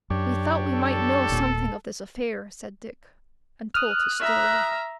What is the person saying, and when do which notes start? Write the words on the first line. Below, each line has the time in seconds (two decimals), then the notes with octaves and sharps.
"We thought we might know something of this affair," said Dick, and told his story.
0.10 F#2 D4 G4 C#5
0.72 A4
1.30 D#1 A#2
3.74 D#6 F6 F#6
4.21 E5 A#5